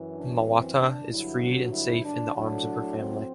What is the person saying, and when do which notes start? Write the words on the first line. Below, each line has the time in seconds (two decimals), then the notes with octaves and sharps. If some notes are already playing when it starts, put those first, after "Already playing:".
Mawata is freed and safe in the arms of her family.
Already playing: F#2 E3
0.14 D4
0.47 C4
0.78 D4
1.09 G2 D3 F#3 E4
1.42 F#4
1.72 E4
2.04 D4
2.36 A2 F#3 D4
2.99 C4